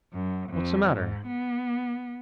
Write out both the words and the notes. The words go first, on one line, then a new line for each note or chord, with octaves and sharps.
"What's the matter?"
F#2
F2
G#2
B3